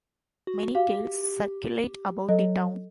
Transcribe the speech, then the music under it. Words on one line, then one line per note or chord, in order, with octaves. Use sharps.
Many tales circulate about the town.
F#4
F#4 G4 F5
G4
F#3 A4 D#5